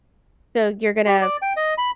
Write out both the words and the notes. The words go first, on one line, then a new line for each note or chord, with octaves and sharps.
so you're gonna
G4
D5
G5
D#5
B5